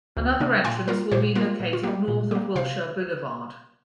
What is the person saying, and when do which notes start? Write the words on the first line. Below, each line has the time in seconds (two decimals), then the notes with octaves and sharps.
Another entrance will be located north of Wilshire Blvd.
0.17 D2
0.40 C3 A#3 D4
0.65 A#2 G5 C6
0.88 G3 A#3 F4 A#4
1.12 A#2 G4 C5
1.35 A#3 F4 A#4
1.41 G3
1.60 A#2
1.73 F4
1.83 G3 A#3 G4
2.08 A#2
2.31 G3 A#3 G4
2.56 C3 C5 F5